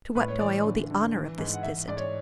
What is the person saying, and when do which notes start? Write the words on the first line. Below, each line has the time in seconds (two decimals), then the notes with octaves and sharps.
"To what do I owe the honour of this visit?"
0.15 A2 B4
0.28 C#5
0.40 E3 D5
0.65 D3
0.90 D3
1.15 E3
1.38 G#2
1.54 F#5
1.63 E3 E5
1.88 G#2 D5
1.97 C#5